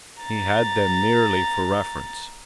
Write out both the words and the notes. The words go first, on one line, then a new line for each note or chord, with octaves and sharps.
He had them merely for reference.
A#5 A6